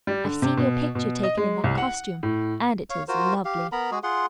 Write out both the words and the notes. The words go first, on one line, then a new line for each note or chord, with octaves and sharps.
"I've seen your picture taken in that costume, and it is lovely."
G3
D3
C3
B2
B2
D#5
G#3
C2
F#5
A2
C#5 F5
F4 F#4 A#4 C5
G4 F5
B3 A#4 A#5 B5
G#3 F#4 G#4
F4 G#4 F#5 C6